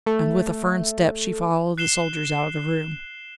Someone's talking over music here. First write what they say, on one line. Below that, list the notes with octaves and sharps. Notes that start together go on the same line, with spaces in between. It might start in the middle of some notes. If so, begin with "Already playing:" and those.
And with a firm step she followed the soldiers out of the room.
A3
F#6 C7 E7 G7